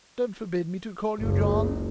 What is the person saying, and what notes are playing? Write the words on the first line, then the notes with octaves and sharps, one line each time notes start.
Don't forbid me to call you John.
F#1 C#2